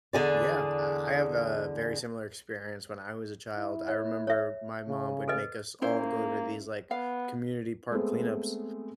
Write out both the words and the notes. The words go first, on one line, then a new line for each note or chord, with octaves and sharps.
Yeah, I I have a very similar experience when I was a child, I remember my mom would make us all go to these, like, community park cleanups,
E2 D3 G#4 D5
E4
C#5
C#5 E5
C#3
A4 B4 D#5
A#3 C#4 E4 C5
B3 F5
G#3 A3 B3 C4 G#4